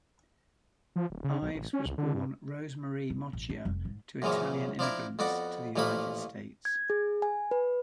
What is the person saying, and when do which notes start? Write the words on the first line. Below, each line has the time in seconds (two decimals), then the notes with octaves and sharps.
Ives was born Rosemarie Moccia to Italian immigrants to the United States.
0.96 F3
1.10 D1
1.24 C#3
1.42 B1
1.55 A1
1.73 C#4
1.86 C#2
1.98 D3
2.14 G2
3.10 B3
3.33 A1
3.49 D4
3.65 F1
3.85 G#2
4.22 F#2 A#2 C#3 E3 F3
4.79 F3 D4 E4 A#4
5.19 F2 B3 F#4 D5 F#5
5.76 A1 A#2 F3 A3 A#3 B5
6.65 G#6
6.90 G#4
7.22 G#5
7.51 B4